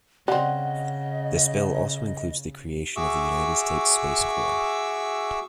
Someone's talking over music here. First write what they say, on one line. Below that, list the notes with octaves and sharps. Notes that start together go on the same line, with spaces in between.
This bill also includes the creation of the United States Space Corps.
C#3 G3 C4 D#5 F#5
F#4 G#4 E5 C#6 D6 E6